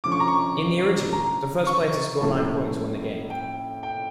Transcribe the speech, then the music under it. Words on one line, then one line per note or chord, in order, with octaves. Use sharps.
In the original, the first player to score nine points won the game.
D2 D3 F3 C#4 F4 D6
C#6
A#5
C#6
A#5
C#6
A2 F3 A#3 C#4 E4 A5
G5
G5